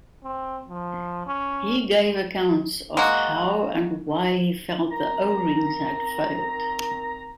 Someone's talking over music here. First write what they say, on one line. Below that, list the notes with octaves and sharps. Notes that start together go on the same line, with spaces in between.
He gave accounts of how and why he felt the O-rings had failed.
C4
F3
C#4
G#3 A#3 F#4
D#3 C4 A#5